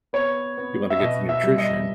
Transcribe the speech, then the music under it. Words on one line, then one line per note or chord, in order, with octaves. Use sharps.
you wanna get the nutrition;
B3 C#5
B3
E5
B2 D#5
E5
G3
D#5